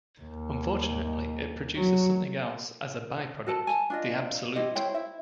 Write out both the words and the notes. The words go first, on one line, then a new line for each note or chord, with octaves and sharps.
Unfortunately, it produces something else as a by-product, the "absolute".
D#2
F#3
F#4 A4 A5
G#5 A5
D4 F4 D#5
E4 G4 C5 D#5
E4 C5 C#5 G5
E4 E5